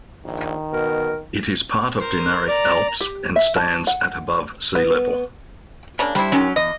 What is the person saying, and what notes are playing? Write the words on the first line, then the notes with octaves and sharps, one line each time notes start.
It is part of Dinaric Alps and stands at above sea level.
A#1 D#3
B2 A#4
A#4 C5
D5 A#5
G4
E5
A5
F#5
B3
C#3 A#3 D4
G3 D4 E4 C5
D#3 F#3 G#3 C#4
E2 D#5